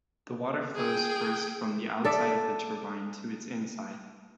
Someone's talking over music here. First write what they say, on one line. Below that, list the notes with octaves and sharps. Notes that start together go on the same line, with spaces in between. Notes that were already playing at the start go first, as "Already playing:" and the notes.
The water flows first from the outside of the turbine to its inside.
G#4 G5
A4 D5 E5